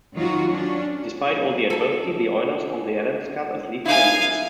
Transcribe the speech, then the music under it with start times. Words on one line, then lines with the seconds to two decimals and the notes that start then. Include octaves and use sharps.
Despite all the adversity the Oilers won the Adams Cup as league champions.
0.15 D#3 F#3 D#4 F4 F#4
0.50 C#4 D4
1.70 A4 A5
3.86 D#4 E4 F5 G#5